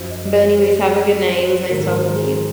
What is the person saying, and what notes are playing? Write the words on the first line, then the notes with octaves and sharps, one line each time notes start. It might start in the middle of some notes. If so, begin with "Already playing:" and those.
But, anyways, have a good night, it was nice talking to you.
Already playing: F#2 F3 C5
D#5
C#5
C5
G#4
C5
C5
C5
G#2 D#3 F#3 A#4
A#4
A#4
C5
G#4